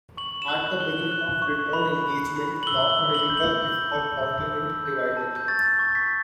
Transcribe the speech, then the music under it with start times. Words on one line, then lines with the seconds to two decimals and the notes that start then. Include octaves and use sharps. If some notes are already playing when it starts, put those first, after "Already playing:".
At the beginning of "Return Engagement", North America is a continent divided.
0.17 C#6 F#7
0.42 E7
0.48 F#6 F#7
0.80 F#6 G7
1.12 F#6
1.42 C#6
1.73 B5
2.04 B5
2.36 B5
2.63 F#7
2.67 E6 G7
2.90 G7
2.99 B5
3.14 F#7
3.30 G6
3.37 F#7
3.61 G6
3.92 A5
4.23 E6
4.55 E6
4.85 G6
5.17 A5
5.36 G6
5.48 C#6 A6
5.79 C#6
5.95 B6